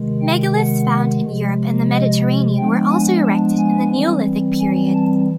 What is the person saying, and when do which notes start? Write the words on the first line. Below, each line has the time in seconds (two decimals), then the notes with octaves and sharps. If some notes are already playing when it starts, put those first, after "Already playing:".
Megaliths found in Europe and the Mediterranean were also erected in the Neolithic period.
Already playing: C3 D#3 G#3
0.22 G5
0.55 F#5
1.22 C3 F3 G#3
1.90 D#5
2.57 F3 G#3 B3 D4 G5
2.91 G#5
3.25 A5
3.58 G#5
3.92 E3 G3 C4
4.60 G#5
4.94 A5